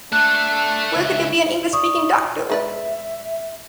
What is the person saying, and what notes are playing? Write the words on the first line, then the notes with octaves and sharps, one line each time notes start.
Where could there be an English-speaking doctor?
A3 D4 A4 F#6
C#2 E5
D5 C#6 D#6
G#3 B4 D5 E5